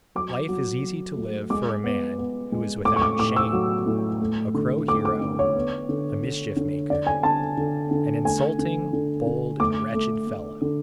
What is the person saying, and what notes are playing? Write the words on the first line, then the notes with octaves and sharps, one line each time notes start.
Life is easy to live for a man who is without shame, a crow hero, a mischief-maker, an insulting, bold, and wretched fellow.
F#3 D6
F#3
F#3
A3
G#3 D6
B3
B3
G#3
A2 D6
C#6
D6
A2 D6
E6
F#3
A2
A3
D3
A3 D6
D6
D3
C#5
B3
D3
D3
D3
D3 D5
G#5
D3 A5
D3
D3
A3 G#5
D3
D3
D3
A3 D6
A3
A3
D3